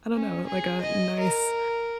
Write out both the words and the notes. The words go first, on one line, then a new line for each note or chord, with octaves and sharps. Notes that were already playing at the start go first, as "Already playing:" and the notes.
I don't know, like a nice
C#4
G#4
D#5
A#4